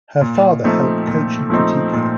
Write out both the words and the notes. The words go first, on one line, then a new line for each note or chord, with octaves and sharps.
Her father helped coach and critique her.
A#2
F3 A3 C4 D#4
A#2
F3 A3 C4 D#4
A#2